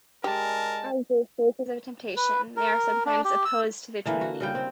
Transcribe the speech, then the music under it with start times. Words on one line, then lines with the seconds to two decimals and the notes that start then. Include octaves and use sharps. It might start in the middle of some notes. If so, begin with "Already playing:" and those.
As the sources of temptation, they are sometimes opposed to the Trinity.
0.24 G#3 G4 A#4 D5 G#5 A5
2.17 B4
2.57 A#4
3.06 D4
3.25 G4
3.45 E6
4.06 D3 E3 A#3
4.21 F#4
4.40 C#3 G3 G5
4.55 C4